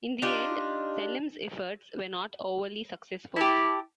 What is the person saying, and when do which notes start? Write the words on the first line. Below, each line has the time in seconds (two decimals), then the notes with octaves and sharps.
In the end Selim's efforts were not overly successful.
0.22 D4 D#4 F4 G4
3.36 E4 G4 A5